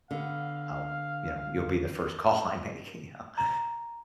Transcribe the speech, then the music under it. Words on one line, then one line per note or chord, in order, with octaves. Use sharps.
I'll" you know, "you'll be the first call I make," you know?
D3 B3 F5
A#5